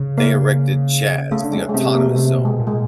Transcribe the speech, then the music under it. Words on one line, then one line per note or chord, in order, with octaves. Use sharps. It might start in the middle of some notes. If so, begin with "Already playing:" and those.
they erected CHAZ, the Autonomous Zone,
Already playing: C#3
A#3
C#3 A3
D3
C#3 G#3
G#3
C3 A3
A#3
B2
C3 A3
B2
G#3
A#2
G#3